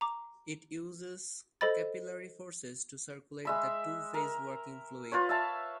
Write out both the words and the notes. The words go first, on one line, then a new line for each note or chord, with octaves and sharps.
It uses capillary forces to circulate the two-phase working fluid.
A#5 D6
A4 C5 D#5 B5 A6
G#3 E5 B5
A#4
F4 B4 C#5
E5 F5 A5